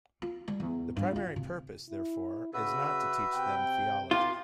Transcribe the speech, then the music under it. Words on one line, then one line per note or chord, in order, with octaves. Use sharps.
The primary purpose, therefore, is not to teach them theology.
F4
G3
E2
G2
F4
C3
E4
C#3 F#4 B4 E5
C3 G5
F4 G4 A#4